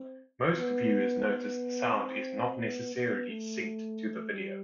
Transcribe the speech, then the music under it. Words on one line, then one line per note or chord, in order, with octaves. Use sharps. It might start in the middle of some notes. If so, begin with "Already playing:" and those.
Most viewers notice the sound is not necessarily synched to the video.
Already playing: C4
B3
B3
C4
B3
B3
A3
G3